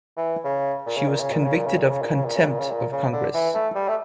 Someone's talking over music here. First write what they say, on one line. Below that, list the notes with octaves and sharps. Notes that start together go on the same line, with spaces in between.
She was convicted of contempt of Congress.
E3
C#3
A#2
C#3
A#2
C#3
A#2
C#3
A#2
C#3
A#2
C#3
A#2
C#3
A#2
C#3
A#2
C#3
A#2
C#3
D3
E3
A3
G3
A3